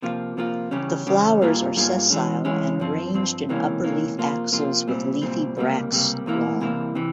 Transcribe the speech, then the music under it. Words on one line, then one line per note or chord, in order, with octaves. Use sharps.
The flowers are sessile and arranged in upper leaf axils with leafy bracts long.
C3 F3 A#3 F4
C3 F3 A#3 F4
E2 C#3 G3 C#4 G4
E2 C#3 G3 C#4 G4
G2 G3 A#3 F4 G#4
G2 G3 A#3 F4 G#4
E3 G#3 C#4
E3 G#3 C#4
G2 F3 C4
G2 F3 C4
C#2 C3 E3 A#3 C#4
C#2 C3 E3 A#3 C#4
C3 F3 A#3 F4
C3 F3 A#3 F4
C2 A#2 G3 C4
C2 A#2 G3 C4
C#2 C3 G3 A#3
C#2 C3 G3 A#3
C2 C3 E3 A#3 E4
C2 C3 E3 A#3 E4
C3 E3